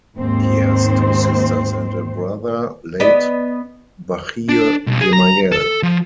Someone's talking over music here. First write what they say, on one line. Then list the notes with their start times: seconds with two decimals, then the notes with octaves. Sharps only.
He has two sisters and a brother, late Bachir Gemayel.
0.16 D#2 G#2 C4 C5
3.00 B3 D5 D#5
4.49 D4
4.87 B1
5.01 G#4
5.13 A#5
5.52 A4
5.83 F3